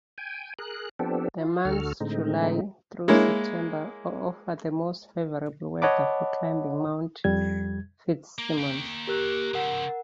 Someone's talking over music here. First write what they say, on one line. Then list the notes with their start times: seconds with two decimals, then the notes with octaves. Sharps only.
The months July through September offer the most favorable weather for climbing Mount Fitzsimmons.
0.18 G5 G#5
0.59 G#4 A#4 F#6
0.99 F3 B3 C4 D4 G4 A4
1.38 F4
1.65 D2 D3 F#4 A4 F6
2.00 A2 D3 G#3 C4 D#4
3.08 G#3 A#3 E4 C#5
5.82 C#5 D#5 F#5 A5 B5 D6
7.24 F2 G3 G#6
8.38 A#3
8.58 A#3 G5
9.07 G4 A#4 F#6
9.54 C#3 F3 A#4 F#5